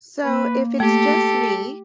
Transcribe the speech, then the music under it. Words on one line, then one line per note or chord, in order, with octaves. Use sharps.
So if it's just me,
A#3 B4
A3 G4 A4